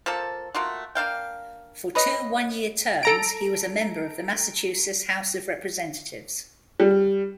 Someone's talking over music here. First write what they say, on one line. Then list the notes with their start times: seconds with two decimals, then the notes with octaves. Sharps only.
For two one-year terms he was a member of the Massachusetts House of Representatives.
0.06 F3 A#3 A4
0.55 A3 A#3 F4 F#4
0.95 A#3 D4 F5 G5
1.95 B4 C#5 D#5
3.03 A4 A#5 D7
6.80 G3